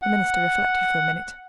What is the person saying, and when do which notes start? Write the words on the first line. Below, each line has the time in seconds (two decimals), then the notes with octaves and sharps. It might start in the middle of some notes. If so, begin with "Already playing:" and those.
The minister reflected for a minute.
0.02 F#5